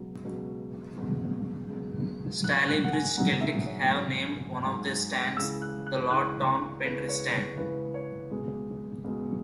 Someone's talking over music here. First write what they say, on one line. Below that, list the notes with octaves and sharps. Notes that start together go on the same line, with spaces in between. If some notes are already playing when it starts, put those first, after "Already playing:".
Stalybridge Celtic have named one of their stands "The Lord Tom Pendry Stand".
Already playing: C#2 B2 F#3
C#2 B2 F#3
C#2 B2 F#3
C#2 B2 F#3
G#2 F#3 F#6
F#6
F#5
G#5
G#2 F#3 F#5
E5
C#5
G#2 F#3
G#2 F#3
C#2 C#3 E3 E6
F#6
F#6
C#2 C#3 E3 F#6
C#6
C#2 C#3 E3 B4
C#5
C#5
C#2 C#3 E3 B4
C#5
C#2 B2 G#3
C#2 B2 G#3